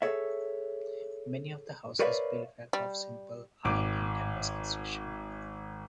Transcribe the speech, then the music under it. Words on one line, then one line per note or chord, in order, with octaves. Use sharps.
Many of the houses built were of simple iron and canvas construction.
G#4 A4 C#5 E5
A#4 B4 C#5 D5 E5 F5
G3
G#1 D6